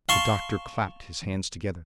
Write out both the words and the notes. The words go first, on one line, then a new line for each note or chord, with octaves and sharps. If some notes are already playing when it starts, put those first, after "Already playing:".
The doctor clapped his hands together.
F5 A5 C6 C#6